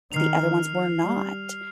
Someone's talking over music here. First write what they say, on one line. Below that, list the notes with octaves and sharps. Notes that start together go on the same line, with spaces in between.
the other ones were not.
D#3 F6 C7 F7
G3